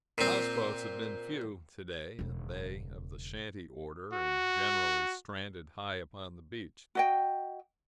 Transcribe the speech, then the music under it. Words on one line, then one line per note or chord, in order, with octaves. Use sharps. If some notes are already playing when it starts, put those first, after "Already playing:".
Houseboats have been few, to-day, and they of the shanty order and generally stranded high upon the beach.
A#2 C4
E1 C#3
F#4
F#4 D#5 G5